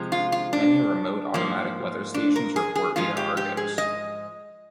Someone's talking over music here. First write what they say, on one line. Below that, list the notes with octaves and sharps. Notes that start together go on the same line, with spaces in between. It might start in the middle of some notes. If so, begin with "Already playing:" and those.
Many remote automatic weather stations report via Argos.
Already playing: C3 F3 G#3
F4
F4
D4
G#2 F3 A#3
D4
A#4
G#4
G#4
G#2 F3 G#3 F4
G4
G4
G#4
D#5